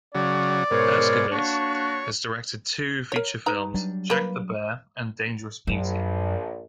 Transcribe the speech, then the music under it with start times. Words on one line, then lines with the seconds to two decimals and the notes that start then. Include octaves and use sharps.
Herskovitz has directed two feature films, "Jack the Bear" and "Dangerous Beauty".
0.15 C#3 F#3 D5
0.71 G#2 B2 A#4 C5 C#5
1.31 A#3 D4 F#4 C#5
3.12 A#4 C#5
3.46 D#4 B4 A#5
3.74 F#3 G3 D4
4.10 A#3 B4
5.67 A#1 F#2